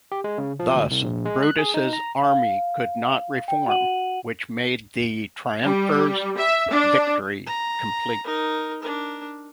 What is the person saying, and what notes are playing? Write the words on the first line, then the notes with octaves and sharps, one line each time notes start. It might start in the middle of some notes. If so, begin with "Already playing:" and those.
Thus, Brutus's army could not reform, which made the triumvirs' victory complete.
G4
G#3
C#3
F3
D2
C2
A#1
G#3
F#6
G#4
D#4
A#5
F5
G5
F#4 F#5 D#7 F#7
G3
E5
D4
A#5
D#4 A#4
D4 A#4